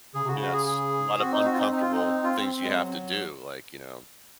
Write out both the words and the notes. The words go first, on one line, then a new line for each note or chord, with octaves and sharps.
Yeah, it's a lot of uncomfortable things you have to do, like, you know
C#3 G#4
C3 F#4
C#3
F#4
G#4
G#4
C4 F#4
D#4
F#4
F4
D#4
D#4
F4
D#4
F4
G#3
F#3